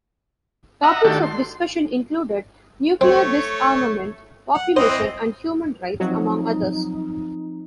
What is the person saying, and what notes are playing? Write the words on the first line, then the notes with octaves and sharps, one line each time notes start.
Topics of discussion included nuclear disarmament, population and human rights, among others.
D#5 E5 F#5 A#5
D#3 A3 D4 F#4 G4 A4
C6
A3 C4 C#5
F#5
E3 C4 C5 D#5
F3 F#3 C4 D#4 D#5